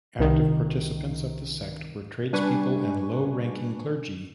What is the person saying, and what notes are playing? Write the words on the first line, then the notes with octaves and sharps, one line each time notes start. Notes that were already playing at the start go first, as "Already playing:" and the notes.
Active participants of the sect were tradespeople and low-ranking clergy.
C2 D#3
G3 D4 B4 G#5 C#6